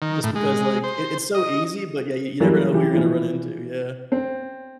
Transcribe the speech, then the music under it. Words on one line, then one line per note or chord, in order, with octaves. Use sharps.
Just because, like, it it's so easy, but yeah, you you never know who you're gonna run into, yeah.
D#3
A2
G#3
C5
D#5
E3 F#3 G3 A#3
E3 G4
A#2 E3 F3 E4
C4